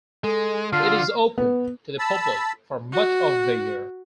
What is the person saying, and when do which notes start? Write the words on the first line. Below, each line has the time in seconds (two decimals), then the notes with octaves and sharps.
It is open to the public for much of the year.
0.24 G#3 A4
0.73 D3 F4 F6 C7
1.38 B3
1.99 A5 B5 E6
2.92 F#4